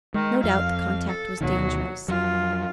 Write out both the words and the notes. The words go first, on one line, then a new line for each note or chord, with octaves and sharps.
No doubt the contact was dangerous.
D#3 G#3
F2 F5
A4
D2 B2 D#3 F#3
F2 F#3 F4